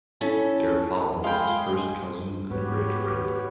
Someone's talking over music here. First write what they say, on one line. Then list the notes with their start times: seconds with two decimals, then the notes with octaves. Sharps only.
Their father was his first cousin and great friend.
0.21 C#4 E4 A4 A5
1.24 G#3 D#5 F5 G5 B5 C6
2.51 G#2 B3 F#4 G4 B4 C#5